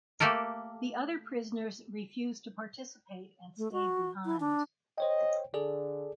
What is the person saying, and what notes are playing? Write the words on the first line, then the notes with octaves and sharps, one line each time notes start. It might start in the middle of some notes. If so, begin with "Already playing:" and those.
The other prisoners refused to participate and stayed behind.
A3 A#3 G4 A4 A#4
A3
F#4
E4
D4
C5 C#5 D#5 G5
D3 G#4 A4 D5